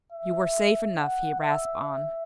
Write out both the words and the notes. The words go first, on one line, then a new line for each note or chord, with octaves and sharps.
"You were safe enough," he rasped on.
E5
F#5
E5
E5